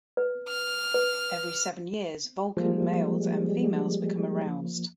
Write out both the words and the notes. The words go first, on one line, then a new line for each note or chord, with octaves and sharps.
Every seven years, Vulcan males and females become aroused.
B4
F6
B4
F3 G3 G#3 A#3